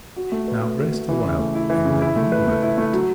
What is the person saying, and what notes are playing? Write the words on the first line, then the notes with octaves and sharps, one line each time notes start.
"Now rest awhile-and let me work a bit."
F#4
A3
B4
A3
F#4
A3
E3
C#3
A3
E4
E3
C#3
E4
A3
B4
A3
E4
A3
F#3